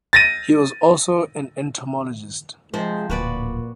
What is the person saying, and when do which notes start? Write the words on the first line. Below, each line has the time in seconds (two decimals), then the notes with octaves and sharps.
He was also an entomologist.
0.13 A6 A#6 D#7
2.74 C3 F3 G#3 C5
3.10 D1 A#2 F#4 B4 D5